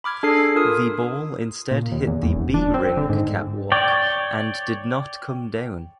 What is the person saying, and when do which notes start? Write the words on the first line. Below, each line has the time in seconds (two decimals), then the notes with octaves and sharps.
The ball instead hit the B ring catwalk and did not come down.
0.04 B5 D6 F6 G#6
0.23 D4 G#4 A4 F6 C7
0.56 F4 A#4 D#6
1.71 A#2
1.92 D#2
2.07 E2
2.23 E2
2.35 E1
2.54 D4
2.74 C4
2.97 D3
3.09 G#2
3.72 C#5 D5 G5